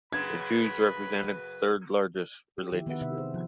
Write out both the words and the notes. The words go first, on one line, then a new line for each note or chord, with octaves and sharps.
The Jews represented the third largest religious group.
F#2 C#3 B4 B5 G#6
G4
D#3 F3 E4 E5
D#3 B3 E4 B4 E5 F#5
C3 E5
G#4 C5
F3